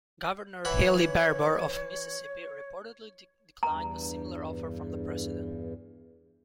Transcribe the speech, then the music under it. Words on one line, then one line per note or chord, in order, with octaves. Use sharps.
Governor Haley Barbour of Mississippi reportedly declined a similar offer from the President.
E3 C#5 F#5 B5
E2 G2 A#5